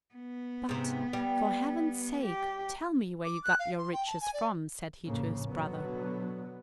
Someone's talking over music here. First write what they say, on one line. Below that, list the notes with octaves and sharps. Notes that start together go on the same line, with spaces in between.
"But, for heaven's sake, tell me where you got your riches from," said he to his brother.
B3
G#2 C3
G3
G4
D6
F#6
F5
C6
G5
A5
G#5
D5
A#1 F2 A2 C#3 A#3
B2 D3 F#3 B3